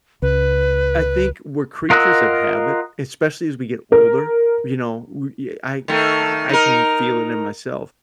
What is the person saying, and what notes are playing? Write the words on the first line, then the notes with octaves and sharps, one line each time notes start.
I think we're creatures of habit, especially as we get older. You know? We uh I I I I can feel it in myself,
C#2 B4
F4 A#4 D#5 F#5 E6
A#4
D#3 A3
D#4 A#4